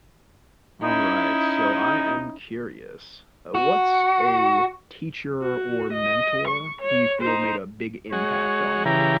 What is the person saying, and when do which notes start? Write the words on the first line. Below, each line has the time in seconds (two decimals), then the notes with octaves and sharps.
Alright so I am curious, uh, what's a, teacher or mentor who you feel made a big impact on ya?
0.83 C#4 D#4 E4
3.55 F#4
5.42 F#4
5.93 D#5
6.47 C#6
6.82 C#5
7.21 D#4 C5
8.13 G#3 F#4 C#5
8.85 C#3 E3 G4 A#5